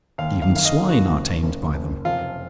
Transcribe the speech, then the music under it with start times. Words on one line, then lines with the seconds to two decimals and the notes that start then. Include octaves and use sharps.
Even swine are tamed by them.
0.18 D#2 F5
0.42 F5
0.50 D#3
0.56 F5
0.65 D#5
0.82 D#3
0.89 F#4
1.12 F#1
1.43 F#1
1.74 F#1
2.05 F1 F4